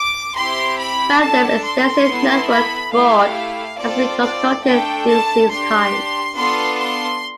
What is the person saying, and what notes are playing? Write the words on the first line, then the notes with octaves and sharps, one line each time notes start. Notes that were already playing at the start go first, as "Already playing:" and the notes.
Bandem's extensive network abroad has been constructed since these times.
Already playing: D6
C4 E4 G4 C6
B5
D4 A4 A5
C6
B3 E4 A4
B5
A3 E4 G4 F5
C4 F4 A4 D5
D5
A3 D4 A4 G5
A5
D4 G4 C6
B3 D4 F4 A4 C6
C6